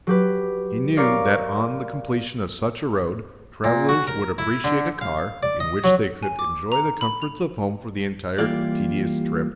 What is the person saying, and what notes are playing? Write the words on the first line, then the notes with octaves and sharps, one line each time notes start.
He knew that on the completion of such a road, travelers would appreciate a car in which they could enjoy the comforts of home for the entire tedious trip.
F#3 G4 B4
A#4 C#5 D5 F5
A#2
F#4
A#4
E4
D3
F5
D5
D#5
F#3
G#5
D6
A#5
B5
F7
E3 G3 A#3 F4 G4 D5